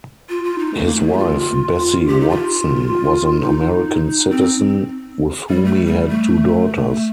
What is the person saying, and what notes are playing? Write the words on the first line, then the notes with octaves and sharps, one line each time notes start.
His wife, Bessie Watson, was an American citizen with whom he had two daughters.
F4
F4
D#4
A3
A#3
A3
A#3
G4
F4
G4
D#4
F4
D#4
C4
G3
A3
G3
A3